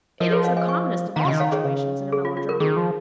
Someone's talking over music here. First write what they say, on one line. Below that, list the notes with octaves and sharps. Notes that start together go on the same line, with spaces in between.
It is the commonest of all situations in a melodrama.
F3 A#4 D#5
G#4 C#5
C#5 F5
D#5 G#5
G#5 C#6
D#3 F5 A#5
C#3
D#3 D#5 G#5
C#5 F5
G#4 C#5
C#3
G#4
F4
F4
A#4
D#3 G#4
F3